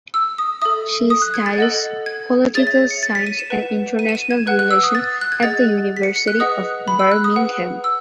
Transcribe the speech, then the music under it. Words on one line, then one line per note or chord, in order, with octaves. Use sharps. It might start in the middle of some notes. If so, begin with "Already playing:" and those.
She studies Political Science and International Relations at the University of Birmingham.
E6
D#6
A4 E5 D#6
D#6
F#6
G#6
A6
A4 D#5 F#5
G#6
G#4 C#5 E5 A6
A6
C#7
A6
B6
D#7
E7
B4 F#5
D#7
E7
D#7
G#6
B4 F#5 F#6
F#6
E6
D#6
A6
F#6
G#6
G#4 D#5 F#5 A6
B6
C#7
C#7
F#6
G#4 B4 D#5 F#5 D#6
B5
E6
F#6
D#6
G#4 B4 F#5
E6